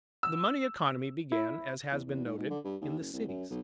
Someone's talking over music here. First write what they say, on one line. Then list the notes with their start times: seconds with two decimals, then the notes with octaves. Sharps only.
The money economy began, as has been noted, in the cities.
0.23 E6
1.32 E4
1.92 E2
2.06 E2
2.25 G#2
2.37 G#2
2.50 D3
2.64 G2
2.81 D#2
2.99 F#1
3.13 C2
3.28 F#2
3.50 B1